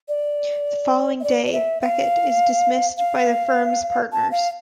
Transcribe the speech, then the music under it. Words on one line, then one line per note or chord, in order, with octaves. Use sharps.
The following day, Beckett is dismissed by the firm's partners.
D5
E5
D5
D5
E5
F5
F5
A5
F5